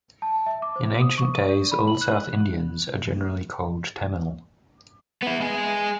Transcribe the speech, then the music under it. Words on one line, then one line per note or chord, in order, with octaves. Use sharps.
In ancient days all south Indians are generally called Tamil.
A5
E5
D6
C5
D#6
C#6
D#7
D5
B5
F#7
F#6
B3 E4
G#3 G#4